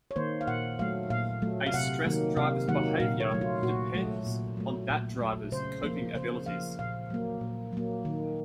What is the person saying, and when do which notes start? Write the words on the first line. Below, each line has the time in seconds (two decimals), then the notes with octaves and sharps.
A stressed driver's behavior depends on that driver's coping abilities.
0.11 C#5
0.16 D#3 A#3 C5
0.41 F5
0.47 A#2 F#5
0.79 F#3 A3 F5
1.10 A#2 F5
1.42 F#3 A3
1.66 F5
1.74 C3 F#5
2.05 D#3 F#3 A#3
2.37 C3 F5
2.68 D#3 F#3 A#3 F#5
3.00 A#2 F5
3.20 C#5
3.31 F#3 A3
3.41 F4
3.63 A#2 F#4
3.95 F#3 A3
4.26 A#2
4.57 F#3 A3
4.90 A#2
5.21 F#3 A3
5.52 C#3 C5
5.84 F3 A#3
6.15 C#3 C5
6.46 F3 A#3 F5
6.79 A#2 F5
7.10 F#3 A#3
7.41 A#2
7.73 F#3 A#3
8.05 D#3